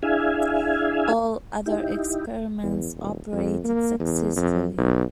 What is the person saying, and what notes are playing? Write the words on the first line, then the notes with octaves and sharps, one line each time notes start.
All other experiments operated successfully.
D4 E4 G#4 E5 F5 G#5
D#4 E4 G4
E2
D#1
F2
A#3
E2
F2
B1